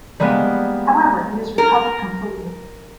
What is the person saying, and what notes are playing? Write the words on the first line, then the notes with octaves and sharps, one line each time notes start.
However it is recovered completely.
G3 G#3 A#3 B3
A#4